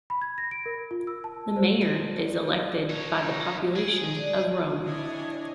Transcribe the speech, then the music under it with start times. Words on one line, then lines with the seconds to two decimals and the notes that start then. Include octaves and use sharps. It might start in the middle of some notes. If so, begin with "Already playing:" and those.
The Mayor is elected by the population of Rome.
0.10 B5
0.21 G#6
0.38 A#6
0.51 D7
0.66 A#4
0.91 F4
1.07 E6
1.24 A5
1.56 C5
1.81 G#4 A#4 C5
2.16 D4
2.90 D#4 C#5
3.76 G#4
4.15 D4
4.83 C4 D4 E4 C#5 D#5 G#5